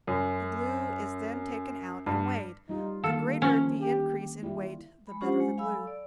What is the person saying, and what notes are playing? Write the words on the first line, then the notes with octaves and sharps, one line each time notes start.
The glue is then taken out and weighed; the greater the increase in weight the better the glue.
F#2
G2
G3 D#4 F4
D3 D#3 A#3 A4 F5
F3 C#4
G4
G3 E4 F4
G#3 B5
C#4 D4 F4 G4 C5 F#5
G#3
F#3 F5 G#5 B5 E6
A4
D5